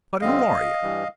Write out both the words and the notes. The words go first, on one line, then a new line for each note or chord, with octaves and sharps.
"But who are you?"
F2 D3 G3 C4 D#5 F5
G2 E3 G3